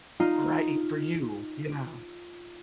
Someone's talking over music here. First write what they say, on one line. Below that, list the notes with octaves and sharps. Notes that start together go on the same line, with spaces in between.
Right, for you. Yeah.
D#4 F4